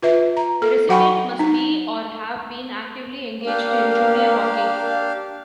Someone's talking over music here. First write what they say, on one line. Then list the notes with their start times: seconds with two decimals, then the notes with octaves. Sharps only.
The recipient must be or have been actively engaged in junior hockey.
0.02 F4 B4 E5
0.37 A#5
0.62 A4
0.89 F#3 F#4 F#5 G5 B5 C#6
1.39 D#4
3.46 A#3 D4 G4 F5